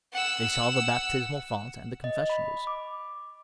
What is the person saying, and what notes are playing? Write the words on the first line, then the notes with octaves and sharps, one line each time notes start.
They saw the baptismal font and the confessionals.
F#5 E6
D#5
B5
D6